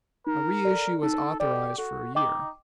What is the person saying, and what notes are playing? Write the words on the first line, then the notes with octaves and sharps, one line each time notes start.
A reissue was authorized for a year.
D#4 A#4
A4 D5
D#4 A4
G4 A4 D5
F#4 A4
D#4 D#5 G5 D6